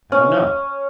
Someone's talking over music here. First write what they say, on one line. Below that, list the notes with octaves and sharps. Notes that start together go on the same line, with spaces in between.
"I don't know."
C#4